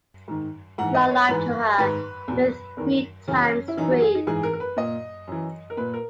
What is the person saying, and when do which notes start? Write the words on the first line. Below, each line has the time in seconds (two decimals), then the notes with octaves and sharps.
Long life to her, with three times three!
0.28 G#2 D#3
0.78 G#2 E3 F#5
0.94 D#5
1.11 C#5
1.29 G#2 E3 B4
1.78 G#2 D#3 B4
2.28 E2 B2
2.77 E2 D#3 A#4
3.28 F#2 C#3 E3 C#4
3.68 E4
3.77 F#2 E3 D#4
3.90 F#4
4.02 G#4
4.15 D#4
4.27 G#2 E3 G#4
4.43 A#4
4.53 A#4
4.60 B4
4.77 A#2 D#5
5.28 F#2 E3
5.70 A#4
5.77 A#2 B4
5.94 A#4